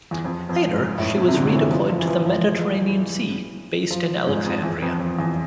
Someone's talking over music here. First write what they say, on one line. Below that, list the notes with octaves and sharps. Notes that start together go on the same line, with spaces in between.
Later, she was redeployed to the Mediterranean Sea, based in Alexandria.
E2
F2
F2
G#2
A2
B2
C3
D3
E3
F3
F3
E3
F3
F3
G#3
F3
G#2
F2
E2
F2
F2
E2